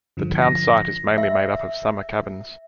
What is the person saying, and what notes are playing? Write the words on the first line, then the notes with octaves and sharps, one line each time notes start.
The townsite is mainly made up of summer cabins.
G2 D3 F3
A#6
E5